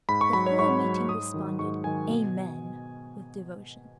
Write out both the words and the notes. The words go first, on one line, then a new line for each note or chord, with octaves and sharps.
The whole meeting responded "Amen!" with devotion.
G#2 B5
C#6
F#3 B5
C#5
G#2 C#6
F#3
G#2 D#6
D#3 F#3
G#2 C#6
D#3 F#3 G#5
B2